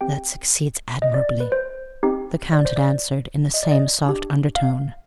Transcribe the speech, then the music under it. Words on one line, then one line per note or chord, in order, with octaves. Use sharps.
'That succeeds admirably,' the Count had answered, in the same soft undertone.
C4 G4 G5
D#5
D5
B4
C5
C4 D#4 G4
D5
C5
D5
D#5
D5
D#5
D4 G4
F5